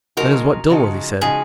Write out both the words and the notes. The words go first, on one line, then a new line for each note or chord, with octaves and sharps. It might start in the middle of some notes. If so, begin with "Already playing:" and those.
That is what Dilworthy said.
C#3 F3 G#3 D#4 F#4 A#4
C#3 F3 G#3 D#4 F#4
C#3 F3 G#3 D#4 F#4 G#4